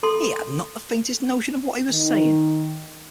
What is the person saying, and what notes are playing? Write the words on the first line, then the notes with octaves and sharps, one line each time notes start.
He had not the faintest notion of what he was saying.
A4 C6
D#3